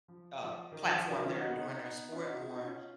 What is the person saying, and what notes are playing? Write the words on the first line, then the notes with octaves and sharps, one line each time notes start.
uh, platform they're doing their sport on.
F3
F3
D#3
F3
F3
D#3 F#3
C#4 F4
D#4 F#4
B3 D#4
C#4 F4
D#4 F#4
F4 G#4
D#4 F#4
C#4 F4